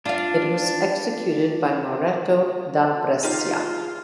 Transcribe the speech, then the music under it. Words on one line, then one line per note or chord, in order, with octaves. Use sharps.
It was executed by Moretto da Brescia.
D4 F4 F5
D#4 F4 G4 G#4 F5